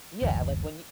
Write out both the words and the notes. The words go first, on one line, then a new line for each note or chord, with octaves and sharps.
yeah, like when you
F#1 D2 E3